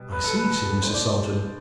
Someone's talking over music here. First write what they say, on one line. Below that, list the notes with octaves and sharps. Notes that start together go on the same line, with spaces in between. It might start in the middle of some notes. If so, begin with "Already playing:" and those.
"I see!" said Mrs. Salton.
Already playing: B2 G3
B4
A4
B4
B2 A3 C5
D5